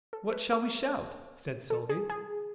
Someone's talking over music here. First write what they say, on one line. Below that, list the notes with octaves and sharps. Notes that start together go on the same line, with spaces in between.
"What shall we shout?" said Sylvie.
A4
B4
A#4
A4
G#4
G#4